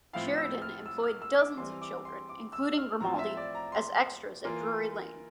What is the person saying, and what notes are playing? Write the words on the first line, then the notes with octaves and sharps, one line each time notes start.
Sheridan employed dozens of children, including Grimaldi, as extras at Drury Lane.
A2 F3 C4 E4 F5
E6
F6
E6
F6
E6
D6
E3 G3 C4 C6
D6
C6
D6
E6
F6
A2 F3 C4 F4 A#5
E5
D5
A#5
C6
E3 A#3 F4